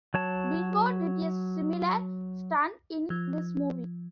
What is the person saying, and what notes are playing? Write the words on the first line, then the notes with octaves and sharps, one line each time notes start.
Bingo did a similar stunt in this movie.
F#3 C#5 A5
F3